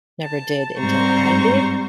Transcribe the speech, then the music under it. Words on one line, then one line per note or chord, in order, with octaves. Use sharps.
never did until I did.
A5
G#2 G3 C4 C5 A#5 C#6